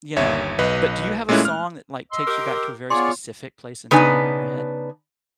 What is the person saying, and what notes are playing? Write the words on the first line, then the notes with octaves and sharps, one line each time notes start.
you know, but do you have a song that, like, takes you back to a very specific place and time in your head?
G1 D#2 C#5 E5
B1 B4 D#5
A#2 G#3 A3 C#4 E4 F#6
F6
D#5 C6 E6
G4 A#4
B3 F4 G#4 C#5 D5 C6
C#3 B3 D4 D#4 B4 G#5